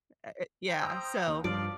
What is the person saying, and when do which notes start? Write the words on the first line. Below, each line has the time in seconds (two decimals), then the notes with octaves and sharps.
Uh, uh, yeah, so,
0.68 C5 G5 A#5
0.82 C6 D#6 E6
1.27 D#2
1.44 G2 F3 F4 D5 F5